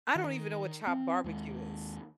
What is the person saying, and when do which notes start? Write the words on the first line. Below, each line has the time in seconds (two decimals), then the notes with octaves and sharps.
I don't even know what chopped barbecue is.
0.15 D#3
0.87 C4
1.24 D#2 G#3